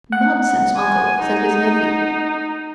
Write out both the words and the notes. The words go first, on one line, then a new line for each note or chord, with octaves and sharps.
"Nonsense, uncle!" said his nephew.
F#5
G#5
D#4